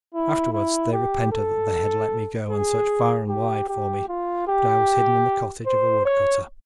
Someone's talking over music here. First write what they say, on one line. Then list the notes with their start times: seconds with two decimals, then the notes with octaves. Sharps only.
Afterwards they repented that they had let me go, and searched far and wide for me; but I was hidden in the cottage of a woodcutter.
0.14 E4
0.53 E4
0.93 G4
1.32 A4
2.51 G#4
3.29 G4
3.69 G4
4.08 F4
4.48 G4
5.66 C5
6.06 C#5